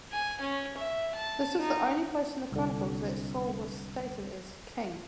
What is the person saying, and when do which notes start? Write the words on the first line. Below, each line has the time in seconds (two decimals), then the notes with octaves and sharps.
This is the only place in the Chronicles that Saul was stated as king.
0.12 G#5
0.41 C#4
0.77 E5
1.15 A5
1.59 D#4
2.52 C2 D3